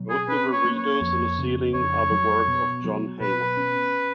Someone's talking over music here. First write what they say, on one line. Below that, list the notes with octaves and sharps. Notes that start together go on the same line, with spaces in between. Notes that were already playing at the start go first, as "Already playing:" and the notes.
Both the reredos and the ceiling are the work of John Hayward.
Already playing: B2 F#3
G#4
C#4 B4
C#5
A#3
C#5
F2
C#3
F2 C#5
F#3
B2
F#3
B2 B4
C#4